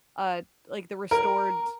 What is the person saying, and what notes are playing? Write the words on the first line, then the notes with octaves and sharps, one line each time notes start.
uh, like, the restored,
A#4